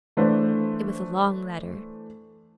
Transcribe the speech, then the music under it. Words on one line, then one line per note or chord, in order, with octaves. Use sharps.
It was a long letter.
E3 A3 D4 B4 C5